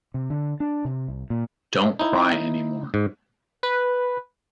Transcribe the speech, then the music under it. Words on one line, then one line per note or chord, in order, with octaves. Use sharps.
Don’t cry any more.
C3
D3
D4
C3
C2
A#2
D#4 E4
G#2
B4